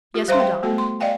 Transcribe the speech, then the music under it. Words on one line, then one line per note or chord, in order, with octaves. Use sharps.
"Yes, madame."
F4 G4
G3 C5 E5 F5 A#5 C6
G5
A3 B3 F#4 A4
C6
D5 D#5 F5 G5 G#5